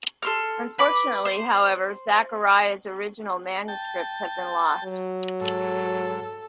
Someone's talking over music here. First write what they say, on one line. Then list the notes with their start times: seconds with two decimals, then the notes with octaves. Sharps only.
Unfortunately, however, Zachariah's original manuscripts have been lost.
0.23 A4 C6 F6
0.79 B4 B5 D6
1.25 C5
3.68 G5 A5
4.84 F#3
5.41 G#2 A4